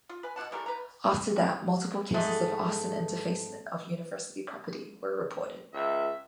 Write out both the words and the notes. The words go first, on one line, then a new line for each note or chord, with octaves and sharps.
After that, multiple cases of arson and defacement of university property were reported.
F4
B4 G#5
B2 D#4 F#5 A5
E3 G3 A3 A#4
B4 A#5
G#2 A3 G#4
C#2 E5